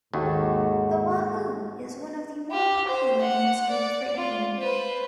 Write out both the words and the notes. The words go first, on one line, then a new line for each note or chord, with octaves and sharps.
The wahoo is one of the more popular in this group for eating.
D#2 G#2 F#4 A4
G4
C5
F#5
D5
F4
B4 C5